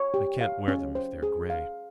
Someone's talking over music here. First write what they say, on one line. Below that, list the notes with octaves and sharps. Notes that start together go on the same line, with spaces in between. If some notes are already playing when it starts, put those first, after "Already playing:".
I can't wear them if they are grey.
Already playing: C#5
G4
F5
C#4
C5
G#4
F5